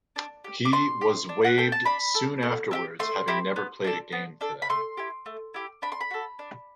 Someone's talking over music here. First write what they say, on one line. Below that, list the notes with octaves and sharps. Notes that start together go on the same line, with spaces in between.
He was waived soon afterwards, having never played a game for them.
D4
G4
D6
D4 C6
G4
D4
F#5
A4 G5
A5
D4 B5
A4
A3
C4 E4 G4
A3 C6
C4 E4 G4
B3
D4 A4
B3
D4 A4
B5
A3 C6
E4 G4
A3
E4 G4
D4 B5
C6
B5
F#4 A4
D4